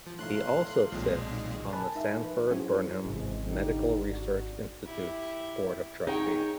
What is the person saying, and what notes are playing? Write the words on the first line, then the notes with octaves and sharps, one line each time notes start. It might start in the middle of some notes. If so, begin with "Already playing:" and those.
He also sits on the Sanford-Burnham Medical Research Institute's Board of Trustees.
F3
B1 A2 C6 F#6
B1 A#2 F3 G#3 C4
D#3
A#4 G#5 A5 B5 F#6
D#4 E5 G#5
F3 B4
F#3 C#4 E4 F#4 G#4 C5
G#1 C3 E3 G#3 C4
D3 D#4 G4
D4 F#4
E4 G4
D#4 G#4 A#4 C#5 G5